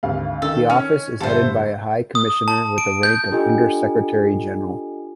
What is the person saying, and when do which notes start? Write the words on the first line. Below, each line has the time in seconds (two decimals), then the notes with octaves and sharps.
The Office is headed by a High Commissioner with the rank of Under-Secretary-General.
0.03 G#1 D2 F5
0.42 D#3 A4
0.70 C#4
1.20 G1 A4 C5 E5
2.15 D#6
2.48 A5
2.78 D7
3.03 G6
3.31 D4 F4 G4 A4 D#5 G#5